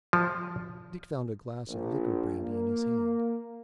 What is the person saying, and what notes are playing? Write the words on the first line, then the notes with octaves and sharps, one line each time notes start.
Dick found a glass of liqueur brandy in his hand.
F3
A#1
A#3